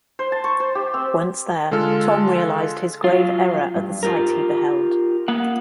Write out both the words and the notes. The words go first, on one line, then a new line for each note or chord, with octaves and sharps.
Once there, Tom realised his grave error at the sight he beheld.
C5
A5
C#6
C5
G4
C4
D3 G#3 F4 A4 F6
F#3 F4
G2
F4 G4 A#4
A#3 F#5